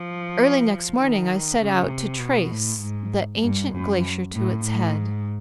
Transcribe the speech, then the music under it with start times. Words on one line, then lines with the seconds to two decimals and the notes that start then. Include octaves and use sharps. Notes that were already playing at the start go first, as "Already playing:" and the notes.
Early next morning I set out to trace the ancient glacier to its head.
Already playing: F3
0.98 D#3
1.59 C#3
1.90 C3
2.20 B2
2.51 A2
2.82 G#2
3.42 G2
3.74 F#2
4.35 A2
4.65 A2
4.95 G#2